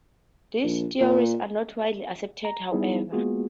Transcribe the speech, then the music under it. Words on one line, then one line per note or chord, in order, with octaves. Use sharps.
These theories are not widely accepted, however.
A#1
A#2
A#5
G3 B3 D#4 E4 G#4
G#3 A#3 B3 F4 F#4 G#4